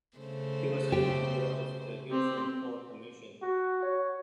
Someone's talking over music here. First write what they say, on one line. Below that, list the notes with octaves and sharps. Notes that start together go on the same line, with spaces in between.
He was a member of the Houston Port Commission.
C#3 A3 C5
G4
C4 G4
F#4
C#5